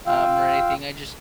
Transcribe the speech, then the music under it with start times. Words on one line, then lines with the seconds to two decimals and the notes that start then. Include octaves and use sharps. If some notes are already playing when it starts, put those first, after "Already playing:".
um, or anything, I just
0.07 F4 F5 G5 E6